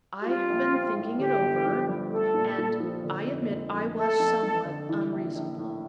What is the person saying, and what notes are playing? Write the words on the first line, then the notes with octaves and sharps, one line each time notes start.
I have been thinking it over, and I admit I was somewhat unreasonable.
G4
G3 F4
A#1
C4
A2
D3 G4
G1
F3
G2
A3 A4
A#2
A#2
F3
D3
F1
F1
F2
A3 A4
F2
F2
D3
E3
A#1
A#1
A2